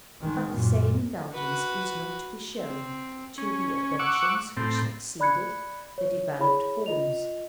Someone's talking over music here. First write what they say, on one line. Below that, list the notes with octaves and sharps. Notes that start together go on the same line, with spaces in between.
But the same indulgence is not to be shown to the affectations which succeeded the developed forms.
D#3 G#3
F#2 A#2
F#4 B4
C4
C#4
F#5 C#6 D6 E6
A2 C4
D5 B5 F#6 G#6 C#7
C#5
E4 G#4 C#5 B5
F4 D#5 F7